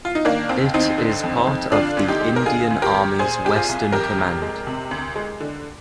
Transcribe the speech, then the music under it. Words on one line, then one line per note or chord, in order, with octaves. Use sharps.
It is part of the Indian Army's Western Command.
F4
D#4
D#3 A#3 D4
D#2 C4
D#2 C4 D#4
D3
F2
F2
D3 D4 F4
D2
D#4 G4
G#3
A#4
D3 F4 G#4
D2
G4 A#4
D2
A#2 G#4 C5
C2 G4
F4 G#4
C2
F2 G4 A#4
F1
G#3
C3
D2
G#3
D3